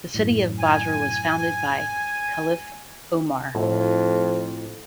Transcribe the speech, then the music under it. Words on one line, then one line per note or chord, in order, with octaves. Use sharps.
The city of Basra was founded by caliph Omar.
F#2 A2
G#5
F2 A2